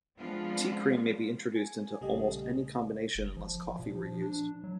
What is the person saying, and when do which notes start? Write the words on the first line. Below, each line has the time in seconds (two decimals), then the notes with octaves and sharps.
Tea cream may be introduced into almost any combination unless coffee were used.
0.18 F3 G#3 B3 C4 D4 F4
1.56 G#5
2.01 A#1 C#3 G3 A3 G4 D#5
3.15 F#1
3.37 F3
3.79 A#2
3.95 F3
4.22 D4
4.64 F#3